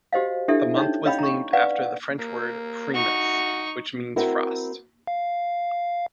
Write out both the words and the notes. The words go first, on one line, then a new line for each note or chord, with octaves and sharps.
The month was named after the French word "frimas", which means "frost".
F#4 G4 C5 D#5 F5
D4 E4 G4 A4 E5
C#4 D#4 C#5
C#5 D#5 F5 G5 B5
A#5 C#6
B4 D5 F5 F#5
A#3
D#4 F#4 C#6
C4 E4 F#4 A#4
F5